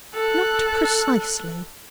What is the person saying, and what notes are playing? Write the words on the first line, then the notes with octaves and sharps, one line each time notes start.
Not precisely.
A4 F#6